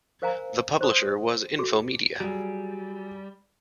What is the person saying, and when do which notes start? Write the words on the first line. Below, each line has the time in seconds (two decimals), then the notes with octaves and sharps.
The publisher was Infomedia.
0.22 A#4 C5 F5 G#5 A#5
0.81 C5 C6 D#6
1.59 F#4 A4 D6
2.20 F#3 G3 G#4